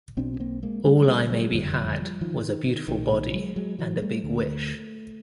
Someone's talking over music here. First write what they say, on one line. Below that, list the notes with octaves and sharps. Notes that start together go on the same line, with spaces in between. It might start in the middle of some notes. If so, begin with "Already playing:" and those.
All I maybe had was a beautiful body and a big wish.
B1 B2 C4 D4
C#4
A#3 C4
G#3 A#3
G3 A3
G#3
G3 A3
F#3 G#3
F#1 F2 D3 F3 G3
D#3 F3
D#3
D#3
B1 A#2 D#3
D#3
F#3 G#3
F#3 G#3
E3 F#3
G3 A3
D2 D3